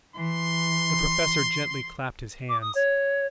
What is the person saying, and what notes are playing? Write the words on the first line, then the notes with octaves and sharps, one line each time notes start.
The Professor gently clapped his hands.
E3 C6
D6
D#6
C#5